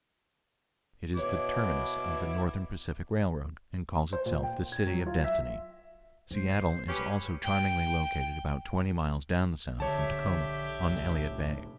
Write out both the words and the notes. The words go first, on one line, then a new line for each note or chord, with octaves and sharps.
It is the terminus of the Northern Pacific Railroad, and calls itself the "City of Destiny." Seattle is also charmingly located about twenty miles down the Sound from Tacoma, on Elliott Bay.
B2 E4 B4 C#5 D6
C5
A#2
G5
G#6
F#3
F4
E5
G#3 C5
C#4 G4 B4 G#5 B5
G5
A#1 D3 G4 C#5 E5 A5
C2 A2